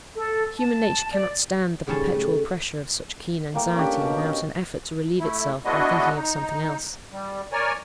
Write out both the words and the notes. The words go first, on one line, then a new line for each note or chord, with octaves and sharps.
Human nature cannot stand the perpetual pressure of such keen anxiety, without an effort to relieve itself by thinking of something else.
A4
A5
D5
G#2 C#3 G3 C#4 C#5 A5
A3
A2 A#3 G5 D6
C#4 D4 G4
B2
D#5
A3 E4
G#3 B3 D4 E4 F#4 D#5
D#4
G3
A#4 C#5 D5 G#5 F6